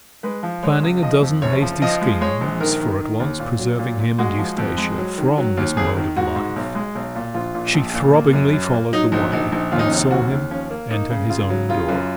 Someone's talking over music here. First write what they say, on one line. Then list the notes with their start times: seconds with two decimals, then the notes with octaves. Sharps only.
Planning a dozen hasty schemes for at once preserving him and Eustacia from this mode of life, she throbbingly followed the way, and saw him enter his own door.
0.23 G#3 B4
0.43 F3
0.63 G#3 C#5
0.83 C#2
1.03 F3 D#5
1.22 F2
1.42 F#1 C#5
1.62 F3
1.82 F3 D#5
2.01 G#3
2.21 G#3 C#5
2.41 A#1
2.60 D#3 A#4
2.80 D#3
3.00 D#3
3.20 D#2
3.39 A#2
3.59 F#3
3.79 A#2
3.99 A#2
4.19 G#3 F#4
4.38 F3
4.58 F2
4.78 G#3
4.98 F#3
5.18 D#3
5.38 F#3
5.57 D#2
5.77 G#1 G#4
5.97 D#3
6.16 G#2 F#4
6.35 G#2
6.56 B1
6.75 G#3
6.95 B1
7.15 A#2
7.34 A#1 F4
7.54 A#2
7.74 A#1
7.94 A#2
8.14 A#3
8.33 F#2
8.53 F#2
8.73 A#3
8.93 F#3 D#4
9.12 A#1 D#4
9.32 A#1 D#4
9.52 A#1 D#4
9.72 D#2 F4
9.79 D#4
9.87 C#4
9.91 F1 D#4
10.11 D#2 F#4
10.31 D#2
10.50 F3 C#4
10.70 A#3
10.90 A#3 D#4
11.10 C#3
11.30 C#3 F4
11.50 F#3
11.69 C#3 F4
11.89 F#2